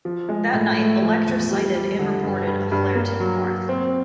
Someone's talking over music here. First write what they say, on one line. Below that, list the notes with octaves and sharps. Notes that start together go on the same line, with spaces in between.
That night "Electra" sighted and reported a flare to the north.
F3
G#3
A2
A3
F3
E2
G3
G3
D3
G2
G2
G2
A#3
F#3
F#3
C4